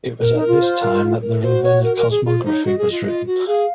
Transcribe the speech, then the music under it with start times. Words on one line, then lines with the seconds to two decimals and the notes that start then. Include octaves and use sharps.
It was at this time that the Ravenna Cosmography was written.
0.21 A#4
0.34 D#4
0.41 A#4
0.47 F4
0.62 C5
0.81 A#4
1.22 A#4
1.42 F#4 C5
1.64 C#5
1.83 A#4
1.97 A#4
2.11 G#4
2.24 F4 G#4
2.38 C5
2.45 D#4
2.51 C#5
2.64 F#4 D#5
2.78 G#4
2.92 F4
3.06 F4
3.27 F#4
3.47 G#4 F5